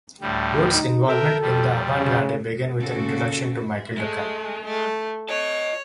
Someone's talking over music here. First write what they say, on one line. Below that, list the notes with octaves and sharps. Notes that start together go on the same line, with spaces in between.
Wood's involvement in the Avant Garde began with her introduction to Marcel Duchamp.
D2 A2 G3
D#4
A4 A#4 E5 G5
F2 G3
C#3
A#2 C#3 C#4 F#4 A4
G#3 A3
A3
C#5 D#5 A5